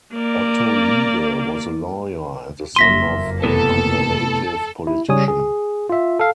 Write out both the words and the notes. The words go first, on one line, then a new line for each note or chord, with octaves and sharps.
Otto Liebe was a lawyer and the son of a conservative politician.
A#3 D5
F#1 F2 A#3 E5 C6 A#6 B6 D#7
A2 C3 B3 A4
E4
C#3 G3 C#5 G#5 D#6
G#4
F4 E5
A4 F5